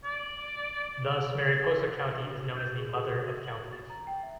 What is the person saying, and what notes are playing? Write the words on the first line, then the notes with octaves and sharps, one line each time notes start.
Thus, Mariposa County is known as the "Mother of Counties".
D5
G6
G#4
A4
F#4
F#7
A6
A#5
G5
E5